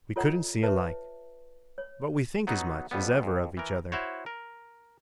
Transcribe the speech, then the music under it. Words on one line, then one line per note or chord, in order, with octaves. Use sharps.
We couldn't see alike, but we think as much as ever of each other.
F4 A4 C#5 D#5 F#5 A#5
B4 C#5 E5 A5
C#5
F#3 B3 D#4 F#4
F2 G3 B3
F2
E3 A#4
E4 F#4 C5 C#5
A#4